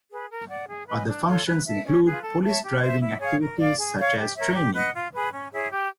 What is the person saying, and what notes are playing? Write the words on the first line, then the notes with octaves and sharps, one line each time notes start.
Other functions include police driving activities such as training.
G#4 B4
A#4
D5 F#5
G#4
B4 D#5 G#5
D4
F4 A4 C#5
B4
E5 A5
C#4
F4 G#4 B4
A4
C#5 E5 A5
G4
C5 E5
E4
G#4 C#5 F5
A#4
D5 F5
G#4
C#5 F5
G4
A#4 C#5 E5
G4
B4 D#5 F#5
F4
G#4 B4
C#4
E4 G#4 C#5
G4